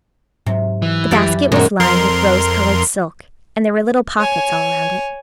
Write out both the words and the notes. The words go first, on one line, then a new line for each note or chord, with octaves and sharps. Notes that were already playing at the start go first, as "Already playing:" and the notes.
The basket was lined with rose-colored silk, and there were little pockets all around it.
G#2 C3 F#3
E3
F#2 F#3 E4 G4 D5
F#2 A#2 D#3 F#3 G#3 D#4
F2 A#4 C6
C#5 G#5